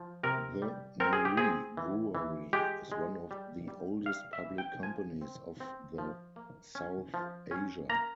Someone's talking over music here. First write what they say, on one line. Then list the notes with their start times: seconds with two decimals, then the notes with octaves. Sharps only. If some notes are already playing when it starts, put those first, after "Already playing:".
The Murree Brewery is one of the oldest public companies of the South Asia.
Already playing: F3
0.23 C3 A#4
0.62 G3
1.00 C4 A#4
1.13 G#4
1.25 G4
1.37 C4 G#4
1.77 E3
2.15 E3
2.53 G#3 G4
2.92 G#3
3.31 G3
3.68 G3
4.06 G3 F5
4.33 E5
4.45 E3
4.58 G5
4.83 F3 G#5
5.21 C4
5.60 C4
5.98 F3
6.36 A#3
6.75 C#4
7.14 F3
7.51 C#4
7.89 A#3 A#5